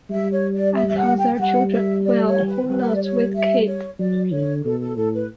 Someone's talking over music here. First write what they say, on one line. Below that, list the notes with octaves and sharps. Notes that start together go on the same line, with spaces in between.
As for their children, well, who knows with kids?
G3 E5
C#5
D5
E5
E5
F#5
G5
G5
G3 F#5
E5
D5
C#5
B4
G3 B4
F#5
E5
D5
C#5
E5
C#5
F#3 D5
D3 C#5
B2 A4
A4
A2 A4
B4